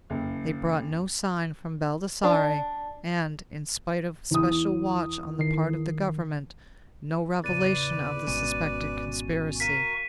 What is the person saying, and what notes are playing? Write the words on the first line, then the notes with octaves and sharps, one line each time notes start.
They brought no sign from Baldassarre, and, in spite of special watch on the part of the Government, no revelation of the suspected conspiracy.
F#1
D4
E2 D#6
D#3 C7
E2 A2 C#3 B4 D5 A6 D#7
G#1 B2 G#3 C#4 F#4 D#7
F#4 A#4 F5 C#6 B6 D#7 E7